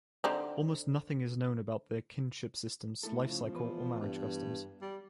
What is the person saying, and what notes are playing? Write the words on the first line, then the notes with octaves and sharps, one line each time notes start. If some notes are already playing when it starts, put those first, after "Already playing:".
Almost nothing is known about their kinship systems, life cycle, or marriage customs.
D3 C4 D#4
A3 E4 A4
A2 C#3 F3
E2 B4
G2
G3